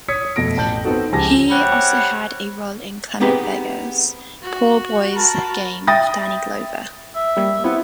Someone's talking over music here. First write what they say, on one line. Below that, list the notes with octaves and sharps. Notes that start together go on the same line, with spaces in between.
He also had a role in Clement Virgo's "Poor Boy's Game", with Danny Glover.
C#5 D#6 G#6 B6 C#7
F2 B2 A3 A#6 D7
A1 A5 G6 F#7
B3 C4 D#4 F#4 A4
C#2 F3 G4 G#5 A5 A#6
G3 C4 C#5 F#5
B3 C4 D#4 G4 G#4 B4
F#4
A#4 A5 B5
E5 G5 B5 D#6 A6 A#6
E5
G3 A#3
B3 C4 E4 F4